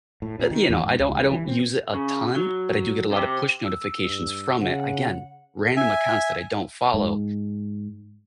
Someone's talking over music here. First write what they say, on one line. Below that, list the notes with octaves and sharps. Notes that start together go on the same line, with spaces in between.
But, you know, I don't I don't use it a ton, but I do get a lotta push notifications from it. Again, random accounts that I don't follow,
A2
A#2
D#3
E2
G#2
C#2
G3
E3
C4
C#3
F#3
C3 G4
E6
G2
C#3 F#5
E5 G#5
G#2